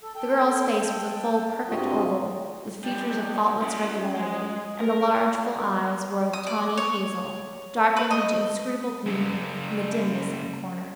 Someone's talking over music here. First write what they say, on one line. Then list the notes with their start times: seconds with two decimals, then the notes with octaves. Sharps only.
The girl's face was a full, perfect oval, with features of faultless regularity, and the large, full eyes were of tawny hazel, darkened into inscrutable gloom in the dimness of the corner.
0.03 A4
0.16 A4 G5
1.69 G2 C3 C4 F4 F#4 D#5
2.84 E2 G3
3.62 C#4 E5
4.16 G#3
4.80 A#4
6.33 D#6
6.47 D5
6.77 C#5
7.97 B4
8.11 D#5
9.05 F#2 C#3